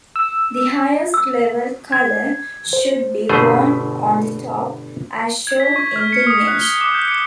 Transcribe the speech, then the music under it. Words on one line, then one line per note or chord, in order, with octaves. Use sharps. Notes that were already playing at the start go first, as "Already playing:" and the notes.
The highest-level color should be worn on the top, as shown in the image.
E6
E6
G#6
C5
G1 B2 A3 G#4 C5
G#6
B6
C#6
F6
C#7
D#6
F#6
G7
D6
G6
C#7